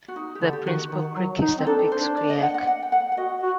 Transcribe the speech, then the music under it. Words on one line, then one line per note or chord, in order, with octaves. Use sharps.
The principal creek is the Pixquiac.
F#4
D#4
G4
D3 A4
G4
D#3 F#4
D#3
F#3
D#4
C4
D4 A4
D4 C5
D5
D#5
F#5
F#5
F#5
G5
F#5
F#5
F#4 D#5
F#4